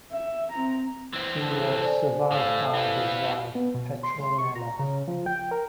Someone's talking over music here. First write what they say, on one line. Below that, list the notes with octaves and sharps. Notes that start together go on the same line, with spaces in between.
He was survived by his wife Petronella.
E5
C4 A#5
E3 C4
A4
C5 D5 G#5
A2 A4 F5
E3 B3
B3
B2
C6
C#6
A#5
C#3
F3
G5
A#4